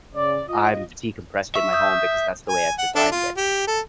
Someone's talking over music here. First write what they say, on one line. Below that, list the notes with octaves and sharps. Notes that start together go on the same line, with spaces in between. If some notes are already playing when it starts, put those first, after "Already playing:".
I'm decompressed in my home because that's the way I've designed it.
C#3 D5
F4 D#5
E5 C#6 E6
D#6 G6
G#5
F#5
D4 A4 E5
F4
G4
A4